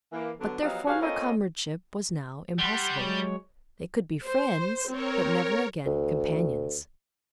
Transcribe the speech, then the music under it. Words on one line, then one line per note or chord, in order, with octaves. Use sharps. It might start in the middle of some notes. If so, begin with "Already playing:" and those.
But their former comradeship was now impossible; they could be friends, but never again companions.
E3 A#3
D3 F#3 B3
F3 F#3 B3 D#4 G4 F5
G2 C#4 F#4 G#4 F5
A#3 C4 C#4 F4 A4 D#5
G3 F#5 C6
F#3 G#3 C#5
C5
C4 A#4 C#5
D2